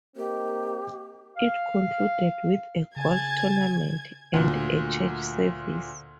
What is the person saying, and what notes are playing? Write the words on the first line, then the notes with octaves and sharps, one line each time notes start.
It concluded with a golf tournament, and a church service.
A#3 C4 D#4 G4
F5
C#3 G#5 A5 G#6
D2 A#2